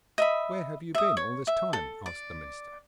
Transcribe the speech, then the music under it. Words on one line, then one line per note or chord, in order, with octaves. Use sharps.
'Where have you been all this time?' asked the minister.
D#5 E5 B5
E5 D#6
C#5
E5
A4
D5